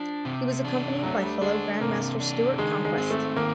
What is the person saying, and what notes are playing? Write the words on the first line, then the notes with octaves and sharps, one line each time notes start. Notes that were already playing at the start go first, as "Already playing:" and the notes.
He was accompanied by fellow Grandmaster Stuart Conquest.
Already playing: F3 D4
C3
D4
F#3 A3
G3
G#3 D4
C3 A#3
D4
D#3 G#3
G#3
C4
A3
D#3 A#3